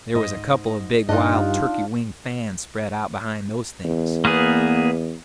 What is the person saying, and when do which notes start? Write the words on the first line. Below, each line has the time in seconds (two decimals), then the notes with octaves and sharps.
There was a couple of big wild-turkey-wing fans spread out behind those things.
0.15 G#2 D#5
1.09 G2 D4 D#4 F4 D#5
3.85 E2
4.25 A#3 B3 G#4